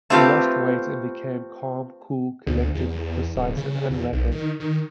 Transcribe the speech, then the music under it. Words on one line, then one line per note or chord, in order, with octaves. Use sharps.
He lost weight and became "calm, cool, collected, precise, and unrattled".
A3 C4 F4 G4 B4
D2
E2
D1
C#3
E2
B1
D#3
D#3